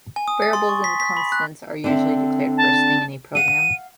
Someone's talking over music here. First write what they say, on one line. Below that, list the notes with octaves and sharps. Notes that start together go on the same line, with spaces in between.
Variables and constants are usually declared first thing in a program.
G#5
D#6
A6
C6
C#6
B6
B6
B5
F#6
D3 C4 E5
A5
F5 F#5 D#7